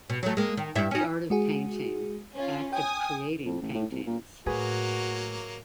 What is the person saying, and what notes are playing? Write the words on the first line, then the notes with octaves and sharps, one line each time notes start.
The art of painting - act of creating paintings.
B2
F#3 A3
G#3 A#3
D#3
G2 E4 E5
C#4 D#4
G#3 F#4 G#4
C#4 F4
G5 G#5 D#6
F2
A1
A2
C2
A#2
A2 F#3 A#3 F#4 G#4 B4